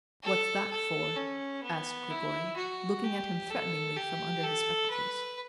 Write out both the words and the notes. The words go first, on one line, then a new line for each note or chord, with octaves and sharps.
"What's that for?" asked Grigory, looking at him threateningly from under his spectacles.
A4
A4
C#4
B3
E4
F#4
G4
A4
G4
A4
B4